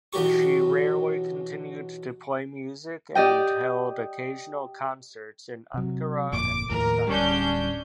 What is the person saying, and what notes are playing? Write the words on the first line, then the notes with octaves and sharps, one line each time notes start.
She rarely continued to play music and held occasional concerts in Ankara and Istanbul.
B1 E3 F#3 G4 C#6
G4 D5 D#5 G5
C3 F#3
G1 F2 A#2 D6
D#2 A2 F3 A#4
D1 G3 C#4 D4 G6